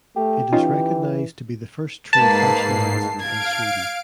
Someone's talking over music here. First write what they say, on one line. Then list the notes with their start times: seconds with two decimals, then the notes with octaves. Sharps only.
It is recognized to be the first true fashion magazine in Sweden.
0.16 A3 G4
0.53 E3 C#4 D#4 F4
2.13 G#2 A#3 B4 A5 C7
3.20 F5 G#6 D7